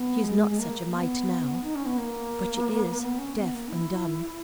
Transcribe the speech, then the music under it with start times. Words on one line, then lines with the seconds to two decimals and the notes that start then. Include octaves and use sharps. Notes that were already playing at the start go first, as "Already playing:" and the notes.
She is not such a mite now, but she is deaf and dumb.
Already playing: B3
0.24 G#3
0.50 G#3
0.59 A#3
0.94 B3
1.63 D#4
1.75 C#4
1.86 B3
1.98 A#3
3.01 B3
3.18 C#4
3.36 B3
3.54 A#3
3.70 E4